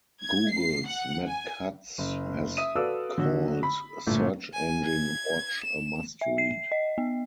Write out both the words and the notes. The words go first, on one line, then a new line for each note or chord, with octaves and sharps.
Google's Matt Cutts has called Search Engine Watch a must read.
G#6
C7
F#5
G#5
F#1
E5 D#6 D#7
F#4 A4 B4 D5 F5 E6
D3 F#3 F#4
B5
G1 A#2 A3
G#5
G#6
E7
E5
C7
D#5
B3